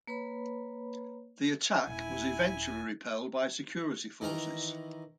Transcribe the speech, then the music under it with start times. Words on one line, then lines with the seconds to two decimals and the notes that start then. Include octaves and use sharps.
The attack was eventually repelled by security forces.
0.07 A#3 B4 C#5 B5
1.87 D#1 E4 G#5
4.21 D#3 E3 A#4 A#5